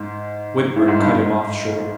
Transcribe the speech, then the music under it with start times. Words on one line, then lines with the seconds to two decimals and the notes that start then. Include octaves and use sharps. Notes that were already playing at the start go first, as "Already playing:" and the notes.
Whitburn cut him off short.
Already playing: G#2
0.76 A2
0.88 G#2
1.00 G2
1.11 G#2